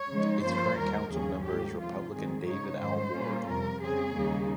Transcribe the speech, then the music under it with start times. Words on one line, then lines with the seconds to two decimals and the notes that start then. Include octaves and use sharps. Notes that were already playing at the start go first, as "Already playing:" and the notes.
Its current councilmember is Republican David Alvord.
Already playing: C#5
0.10 C#3 F3 G#3 D#4
0.43 G2 F3 A#3 C#4 F4 C5
0.77 D#2 D#3 G3 A#4
1.11 D#2 C#3 F3 A#3 C#4 G#4
1.44 G#2 G3 A#3 G4
1.79 C3 F3 G#3 C4 F4
2.12 G#2 D#3 G3 C4 G#4
2.46 C#3 G#3 D#4 C#5
2.79 G#2 D#3 G3 C#4 C5
3.13 A#2 G3 A#3 C#4 F4
3.46 F2 C3 G3 A#4
3.80 C#3 G3 C4 G#4
4.14 D#2 C#3 G3 A#3 D#4